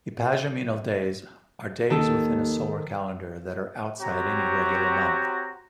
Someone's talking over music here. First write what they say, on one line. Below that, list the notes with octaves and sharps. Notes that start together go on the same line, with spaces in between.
Epagomenal days are days within a solar calendar that are outside any regular month.
D#2 D#3 A4
C4 F#4 G4 C#5 A#5